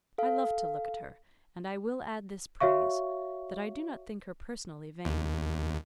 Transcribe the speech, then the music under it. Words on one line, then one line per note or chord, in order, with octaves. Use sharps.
I love to look at her; and I will add this praise, that I do not think her personally vain.
A4 F5
F#4 C#5 E5 F5 C#6
D#2